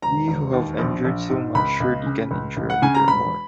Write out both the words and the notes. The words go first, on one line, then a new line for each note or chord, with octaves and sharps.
We who have endured so much surely can endure a little more.
E1 A#5
E1
D#2
A#1
A#1
G#2
C#2 B5
C#2
C#3
C#2
C#2
F#5
C#3 G#5
A#5
E1 B5